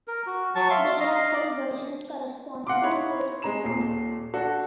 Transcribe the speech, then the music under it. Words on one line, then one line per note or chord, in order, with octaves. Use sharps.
There are four versions corresponding to four seasons.
A#4
F#4
F#3 A5 C#6
E5 F5 C6
D#5 F5
D5
F5 F#5 C6 D6
D#4 E4 C#5 B5 C6
G#3 A#5 E7
D#1 A#2 C7
D4 F#4 A4